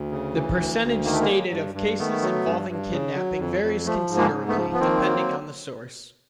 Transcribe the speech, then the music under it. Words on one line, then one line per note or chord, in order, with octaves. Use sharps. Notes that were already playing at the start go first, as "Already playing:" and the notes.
The percentage stated of cases involving kidnapping varies considerably, depending on the source.
Already playing: D2
C#3
E3
D2
D2
D#3 A#3
A3
G#3 A#3
F#3
G2
G2
D#3 A3 B3
F#3
G2
G2
C#3
F#3
F2
F2
F3 A3
G#2
G#3 A#3
G#2
A3 B3
F3
B3
D#3 A#3 C4
F#3